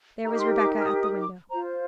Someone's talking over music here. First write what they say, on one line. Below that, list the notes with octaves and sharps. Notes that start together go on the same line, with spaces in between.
There was Rebecca at the window.
D#4 G4 A#4 A#5
D6
C6
D6
F6
D#6
D#6
D6
F4 C5 A#5